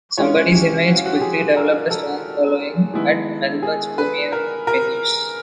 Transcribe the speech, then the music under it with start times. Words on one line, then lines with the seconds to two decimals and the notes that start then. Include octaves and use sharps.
Somebody's Image quickly developed a strong following at Melbourne's premier venues.
0.18 E3 G#3 C#4 F4 C#5
0.52 G4
0.87 F#4
0.98 F4
1.05 F#4
1.14 G4
1.21 G#4
1.57 A#4
1.90 A4
2.94 D#3 G#3 B3 E4
3.62 G#4
3.98 B4
4.32 A#4
4.67 A#4